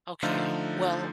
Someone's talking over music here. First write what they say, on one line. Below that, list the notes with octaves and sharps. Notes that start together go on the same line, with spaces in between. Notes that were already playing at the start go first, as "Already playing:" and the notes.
Okay. Well,
D3 F3 A3 D#4 F4